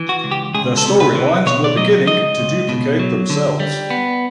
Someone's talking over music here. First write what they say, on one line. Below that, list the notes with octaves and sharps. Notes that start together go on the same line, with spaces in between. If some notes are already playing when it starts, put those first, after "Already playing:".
The storylines were beginning to duplicate themselves.
Already playing: E3
F#4
C#2
G4
C#2 G#4
A4
C3
B4
E3
B2 C#5
D5
F#3 D#5
C#2 D#5
C#2
B2
F#3
D3
G3
B3